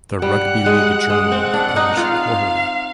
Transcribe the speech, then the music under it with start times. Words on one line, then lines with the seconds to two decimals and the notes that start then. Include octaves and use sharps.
The Rugby League Journal appears quarterly.
0.22 G3 F#5
0.66 G#3
1.10 G#3 F#5
1.32 C4
1.54 D4
1.76 D#4
1.97 F4 F5